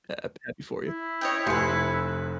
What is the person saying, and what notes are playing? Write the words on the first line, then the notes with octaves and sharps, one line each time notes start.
Hap happy for you.
E4
C#5 D#5 G5
F1 B4 G#5 C6 C#7